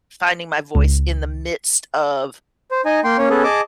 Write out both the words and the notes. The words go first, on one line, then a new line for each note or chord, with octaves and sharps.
finding my voice in the midst of
C#2
C5
D#4 D#5 G#5
A#3 G5 C6
A#3 C#4 C#5
B3 C#4 G#4 A4
G#4 D#5 A5 D6